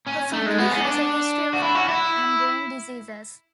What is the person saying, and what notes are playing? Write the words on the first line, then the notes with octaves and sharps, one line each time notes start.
Her family has a history of heart and brain diseases.
C#4
A3
G#3
B3
C#4
D4
F#4
E4
F#4
E4